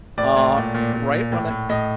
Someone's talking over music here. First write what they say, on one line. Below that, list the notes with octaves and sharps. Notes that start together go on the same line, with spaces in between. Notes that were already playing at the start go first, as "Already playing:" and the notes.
uh, er, right, when I
A2 D5
A2
A#2
A#2
A#2
A#2
A2
A2
A2 D#5